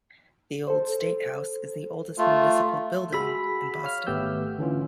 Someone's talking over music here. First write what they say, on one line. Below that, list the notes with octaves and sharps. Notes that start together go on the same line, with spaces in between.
The Old State House is the oldest municipal building in Boston.
A4 C5
A3 F4
F#4 G#4 B5 E6 B6
C#5 F5 F6
G#1 A3 B3 G4 E6 G6
D3 E3 C#4 F4